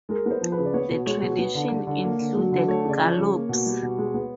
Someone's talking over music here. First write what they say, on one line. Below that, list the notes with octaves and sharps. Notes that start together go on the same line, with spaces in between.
The tradition included galops.
G#3 A#4
B3 C5
F3
B4
C#3
D5
B3 C#5
B2
G#3 C#5
B2
B3
D3
G3
D3
A#3
D3
F#3
D3
A3 C#5
C#3 D5
F3
C#5
C#3
A#3
B2
G3
B2
G#3
B3